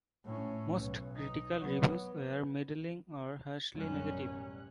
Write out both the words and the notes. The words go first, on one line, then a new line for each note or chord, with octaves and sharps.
Most critical reviews were middling or harshly negative.
A2 C#4
B1
D#4
F#3 B3
A1 F#2 B2 G3 C#4 F#6